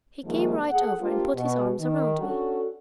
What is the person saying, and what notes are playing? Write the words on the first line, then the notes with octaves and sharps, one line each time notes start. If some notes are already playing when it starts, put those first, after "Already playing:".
He came right over and put his arms around me.
C2 D#3 F3 G#3 A#3
G#4 A4 F#5
A#3 D4 F4 G4 C5
B2
D#3
C#4 D4 F#4 A4